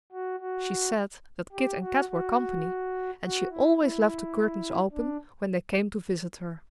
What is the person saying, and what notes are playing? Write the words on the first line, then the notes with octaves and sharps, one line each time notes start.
She said that Kit and Kat were company, and she always left the curtains open when they came to visit her.
F#4
F#4
G4
F#4
F#4
F#4
E4
E4
D4